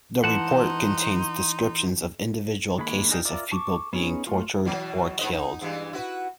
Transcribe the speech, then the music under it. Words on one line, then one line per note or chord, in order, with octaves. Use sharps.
The report contains descriptions of individual cases of people being tortured or killed.
E3 D#4 F#5 A5 C6
D#3 G#3 A#3 B5
D4 D#4 G#4 A#4 G5
F4 A#4 D5 E5
A5 C#6 D6
B3 C#4 D#4 G#4
A3 F4
B2 E3 F#3
G#2 B4 D#5
D#4
G2 E3 G#3
E4 F#4 B4